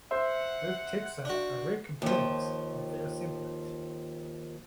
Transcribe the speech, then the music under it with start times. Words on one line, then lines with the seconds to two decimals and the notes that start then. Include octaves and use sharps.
Both taxa are rare components of the assemblage.
0.11 C5 E5 F#5
1.25 D4 F#4
2.02 D#2 F3